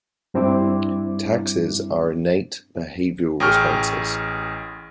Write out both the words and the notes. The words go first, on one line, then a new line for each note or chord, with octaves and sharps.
Taxes are innate behavioural responses.
G2 G3 C4 D4 E4 D6
A1 G#4 G5 C#6 F6